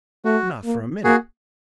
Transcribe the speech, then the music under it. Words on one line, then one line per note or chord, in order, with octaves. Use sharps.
Not for a minute.
A3 F#4
A#3
A#3 F#4 G#4